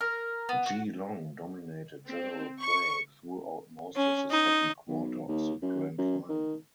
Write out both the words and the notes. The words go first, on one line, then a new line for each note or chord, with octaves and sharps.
Geelong dominated general play throughout most of the second quarter of the Grand Final.
A#4
B3
F#4
C4
C#6
C#4
D#4
B1
D#2
F#2
F#2
D#3